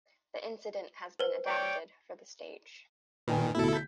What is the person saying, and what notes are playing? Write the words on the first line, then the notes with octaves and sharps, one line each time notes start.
The incident has been adapted for the stage.
B4 C5
C#5 D5 G5
A#2 D#3 B4 G5 G#5
D1 B2 A3 E4 A4
G6 B6